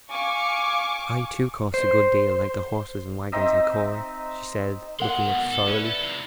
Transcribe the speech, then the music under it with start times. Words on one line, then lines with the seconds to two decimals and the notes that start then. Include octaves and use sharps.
"I, too, cost a good deal, like the horses and wagons and corn," she said, looking up sorrily.
0.11 F5 G#5 C#6 D6
1.74 C5
3.32 C4 D#4 D#5 E5
4.99 A#4 F#5 G#5 C6
5.29 G#2 B2
5.51 A4
5.67 C#4 E4 B4 D5
5.86 A4
6.01 G#2 C3